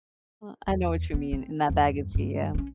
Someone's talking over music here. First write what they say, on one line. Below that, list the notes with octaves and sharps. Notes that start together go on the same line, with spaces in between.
Well, I know what you mean, in that bag of tea, yeah.
E2 E3
B3
C4
E2 G2
G2
C4 C#4